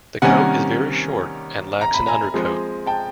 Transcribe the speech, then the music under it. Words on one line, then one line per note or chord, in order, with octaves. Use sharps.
The coat is very short and lacks an undercoat.
C3 D#3 G3 A#3 C#4 F#5 G#5
A#5
B5
G#5 A#5
F3 G#3 C4
G5 A5